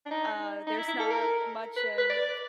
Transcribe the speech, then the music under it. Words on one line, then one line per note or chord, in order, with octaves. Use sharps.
uh, there's not much of,
D4
D#4
D#4
E4
E4
A4
A#4
B4
B4
D5